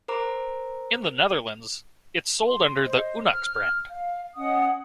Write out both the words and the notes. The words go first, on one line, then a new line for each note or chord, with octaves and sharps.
In the Netherlands it is sold under the Unox brand.
A#4 C5 A#5 D6
C6
C5 D#5
F6
F5
C#4 D#5 F#5 D#6